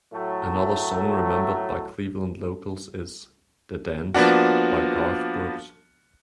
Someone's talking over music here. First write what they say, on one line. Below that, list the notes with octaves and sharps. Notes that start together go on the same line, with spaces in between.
Another song remembered by Cleveland locals is "The Dance" by Garth Brooks.
A2 F#3 A3
F3 A#3 B3 D4 F#4